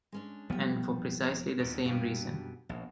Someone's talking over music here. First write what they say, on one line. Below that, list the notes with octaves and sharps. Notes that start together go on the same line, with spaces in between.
And for precisely the same reason!
G#3 C#4 D4
F1 E2 F3 G3 B3
A#4
D#2 A#2 B3 C#4
F#2 B2 G3 D4 F5
A#1 B2